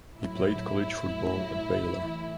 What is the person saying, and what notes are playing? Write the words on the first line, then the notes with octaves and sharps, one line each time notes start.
He played college football at Baylor.
A2 F#3 E4
A2 F#3
A2 E3